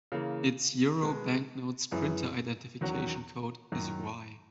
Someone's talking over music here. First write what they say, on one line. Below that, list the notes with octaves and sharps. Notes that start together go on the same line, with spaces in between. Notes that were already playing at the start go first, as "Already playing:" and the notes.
Its Euro banknotes printer identification code is Y.
C#3 E3 A#3
B2 G#3 B3
F#2 E3 B3 E4 G#4
E2 D#3 F#3 C#4 F#4
F#2 D#3 F#3